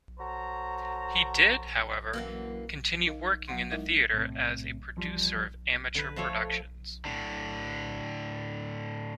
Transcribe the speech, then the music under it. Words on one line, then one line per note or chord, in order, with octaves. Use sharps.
He did, however, continue working in the theatre as a producer of amateur productions.
F#4 A4 C5 C#5 A#5
F#2 E3 A#3
D#4 A#4 D#5 F5
F#3 B3 F#5 C6
G#3 D#4 E4 A#4 D#5 E5
A2 C3
E2 F3 G3
D3 B4
F3 A3 A4 C#5
A2 D3